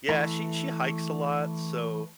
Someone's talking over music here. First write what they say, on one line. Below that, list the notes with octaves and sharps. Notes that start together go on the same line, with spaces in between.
Yeah, she she hikes a lot, so
E3 A3